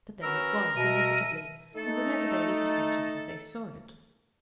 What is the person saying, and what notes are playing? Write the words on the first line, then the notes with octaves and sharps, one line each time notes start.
But there it was, inevitably, and whenever they looked at each other they saw it.
C#4 F#4 A#4 B4 E6
B2 E5 D#7
A3 D#4 A4